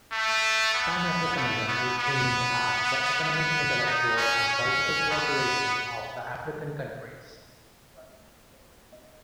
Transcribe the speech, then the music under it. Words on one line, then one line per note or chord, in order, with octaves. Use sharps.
Pan-Africanism is aimed at the economic, intellectual and political cooperation of the African countries.
A3
B3
A3
B3
B3
B3
D#4
C#4
C#4
B3